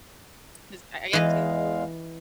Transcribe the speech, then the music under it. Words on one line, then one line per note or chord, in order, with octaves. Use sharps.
'Cause I I guess he
E2 E3 G#3 D#5 F5